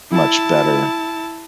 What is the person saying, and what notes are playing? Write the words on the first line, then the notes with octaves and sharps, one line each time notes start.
much better.
E4 A5